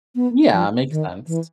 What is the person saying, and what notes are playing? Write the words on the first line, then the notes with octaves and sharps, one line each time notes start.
Yeah, makes sense.
B3
F3
D#3
E3